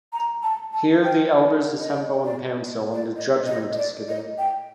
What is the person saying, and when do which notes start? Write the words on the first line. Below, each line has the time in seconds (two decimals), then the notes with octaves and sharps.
Here, the elders assemble in council, and judgment is given.
0.13 A#5
0.43 A5
0.73 A5
1.04 G5
1.79 D#5
2.25 D5
2.94 D5
3.16 D#5
3.47 D#5
3.73 D#5
3.77 D5
4.08 D#5
4.38 G5